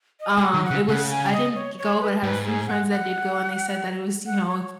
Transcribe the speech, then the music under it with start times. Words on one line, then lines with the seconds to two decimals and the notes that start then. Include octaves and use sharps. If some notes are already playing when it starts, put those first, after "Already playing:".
Um, it was I didn't g go, but I had a few friends that did go and they said that it was, you know it
0.20 D#5
0.34 G#5
0.38 G#3
0.43 F#5
0.55 D#3
0.65 F#5
0.71 C#3
0.88 C#3 F#5
1.10 G#5
1.33 D#5
1.55 C#5
1.78 C#5
2.00 B4
2.23 G#2 B4
2.45 G#4
2.67 F#5
2.91 F#5
4.26 F#5
4.48 C#5